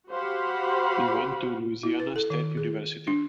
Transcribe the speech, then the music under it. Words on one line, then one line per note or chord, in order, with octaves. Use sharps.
He went to Louisiana State University.
F#4 G4 C5 F5 F#5 B5
E4
B4
A4
D#3
G#4
D4